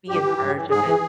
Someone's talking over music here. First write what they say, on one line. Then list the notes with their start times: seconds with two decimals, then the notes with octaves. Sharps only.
be in charge of it.
0.08 G2 G4
0.24 E3
0.39 G2
0.55 E3
0.70 G#2 G#4
0.86 E3